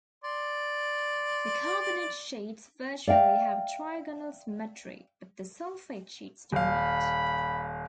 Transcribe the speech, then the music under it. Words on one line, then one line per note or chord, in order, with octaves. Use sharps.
The carbonate sheets virtually have trigonal symmetry, but the sulfate sheets do not.
D5 C6
D5 E5 F5 G5
D#1 F5 B5